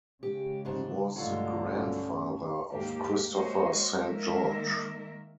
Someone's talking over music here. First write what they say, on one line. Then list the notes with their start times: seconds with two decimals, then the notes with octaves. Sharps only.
He was the grandfather of Christopher Saint George.
0.23 C#3 G#3 G4
0.65 D2 G#2 D4
1.16 B1 G2 D3 F#3 G#3 A3 F4
1.68 C#4
2.72 D#2 G#2 A#3 G4
3.30 G#3 A#3 F#4 C5 C#5 D#5
4.04 D#3 G#3 A#3 A#4 E5